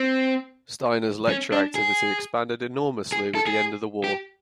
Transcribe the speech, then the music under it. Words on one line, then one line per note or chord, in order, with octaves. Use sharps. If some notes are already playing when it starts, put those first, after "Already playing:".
Steiner's lecture activity expanded enormously with the end of the war.
Already playing: C4
C#4
D4
G#4
G#4
A4
G#4
G4